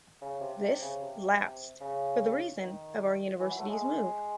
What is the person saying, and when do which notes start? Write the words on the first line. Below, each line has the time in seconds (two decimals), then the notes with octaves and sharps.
This lapsed for the reason of our university's move.
0.22 C#3
0.41 C3
0.61 C3
0.81 C#3
1.01 C3
1.81 C#3
2.60 D#3
3.40 E3
3.51 F#3
3.59 A3
3.69 G#3
3.80 G#3